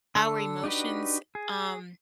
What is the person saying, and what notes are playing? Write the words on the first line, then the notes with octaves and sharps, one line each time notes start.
our emotions, um,
D3 A4
D4 D#4 F#4 G4 B4
G#4